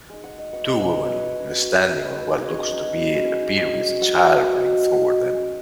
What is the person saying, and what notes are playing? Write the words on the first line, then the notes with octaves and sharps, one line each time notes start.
Two women are standing on what looks to be a pier with a child running toward them.
G#3 D#4
F#5
D#5
F#3 B3 D#4 F#5
D#5
C#5
G#3 C#4 B4
C#5
F#3 C#4 C#5
F#4
G#3 B3 D#4 F#4
B4
G#3 D#4 G#4
D#5
C#5
F#3 D#4
G#3 C#4
F#3 C#4 D#5
F#3 D#4 F#5
F#5
D#5
F#5
F#3 B3 D#4
F#3 D#4
G#3 C#4 D#5